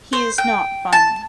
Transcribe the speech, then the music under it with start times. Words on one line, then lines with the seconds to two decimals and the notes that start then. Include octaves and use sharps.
He is not final.
0.13 C5
0.38 G5
0.93 A5